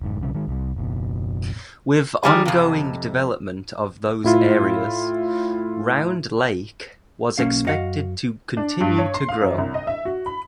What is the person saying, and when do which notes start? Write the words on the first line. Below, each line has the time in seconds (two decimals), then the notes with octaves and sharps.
With ongoing development of those areas, Round Lake was expected to continue to grow.
0.02 F1 G#2
0.21 B1 C#3 F#3 G3
0.35 D#3 G#3
0.48 C2 C3
0.76 F#1 B2
2.23 D#3 G3 G#4
2.46 F2 C3
4.24 A2 E4 F4
7.38 B1 A#3 C4 C#4 F5
7.67 F#2 F#4 D#5 F5 F#5
8.57 D4
8.81 G2
8.98 C#5
9.14 C6
9.29 F5
9.41 F#2
9.58 C2
9.74 D#5
9.87 E5
10.05 F#4
10.26 B5